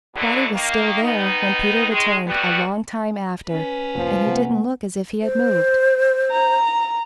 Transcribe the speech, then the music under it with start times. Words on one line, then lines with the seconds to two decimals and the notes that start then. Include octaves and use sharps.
Spotty was still there when Peter returned a long time after, and he didn't look as if he had moved.
0.14 B2 D3 E3 F#3
0.53 D#3 A#3
1.02 D#3 B3 D#4
1.90 D#3 G#3
2.27 A2 G3 B3 F#4
3.46 C#4 B4
3.95 C2 F2 F3 A#3
4.26 C3 A3 A#3 F#5
5.22 C5
6.31 A#5